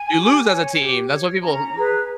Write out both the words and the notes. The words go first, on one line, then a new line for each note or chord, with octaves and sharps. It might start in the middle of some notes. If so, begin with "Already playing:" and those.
You lose as a team, that's why people m
Already playing: G#5
G4
C#5
G4
C#5
C#4 A#5
G#4 B4